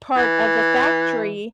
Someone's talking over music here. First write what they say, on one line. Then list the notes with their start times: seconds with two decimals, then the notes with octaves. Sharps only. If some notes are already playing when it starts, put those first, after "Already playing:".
part of the factory
0.17 E3